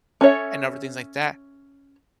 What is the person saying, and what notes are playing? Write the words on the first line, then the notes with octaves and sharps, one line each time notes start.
and other things like that?
C#4 A4 C#5 E5